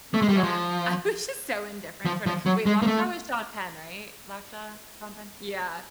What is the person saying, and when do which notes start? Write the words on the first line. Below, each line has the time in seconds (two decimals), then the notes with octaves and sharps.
yeah. I was just so indifferent toward it wait, Lockjaw was Sean Penn, right? Lockjaw? Sean Penn? Yeah,
0.14 A3
0.22 G#3
0.29 G3
0.36 F#3
0.43 F3
2.06 F3
2.26 F3
2.46 F#3
2.66 G#3
2.82 A#3
2.87 A3